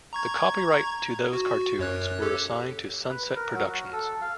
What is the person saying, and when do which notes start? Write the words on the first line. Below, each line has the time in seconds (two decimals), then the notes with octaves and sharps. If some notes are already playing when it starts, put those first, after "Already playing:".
The copyright to those cartoons were assigned to Sunset Productions.
0.13 A#5 C#6 G#6
1.33 F#4
1.79 F#2 C#5 F#6
2.22 G4 A4
3.09 B4
3.36 A#4
3.54 F#3
3.69 F#4
3.93 A4
4.22 F5